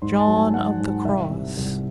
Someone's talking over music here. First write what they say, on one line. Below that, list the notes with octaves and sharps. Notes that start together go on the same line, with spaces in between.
John of the Cross.
G#2 C6
A5
F#3
G#5
F#3 F#5
G#2
C2 E5
C3
C2